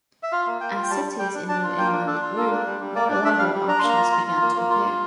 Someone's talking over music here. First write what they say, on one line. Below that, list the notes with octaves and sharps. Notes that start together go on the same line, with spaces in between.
As cities in New England grew, more elaborate options began to appear.
E5
F4 F5
A#3
A#3 G5
F4
G5
G3 A5
G3
G3 G5
D4
D4 A5
F4
A#3 G5
D4
D4 A4
F4
A#3 A4
D4
G3
G3
A#3 D5
D4 D5
D4 E5
G3 F5
G3
D4 A#5
A#3 C6
A#5
F4
F4
F4
A#3
A#3
F4
F4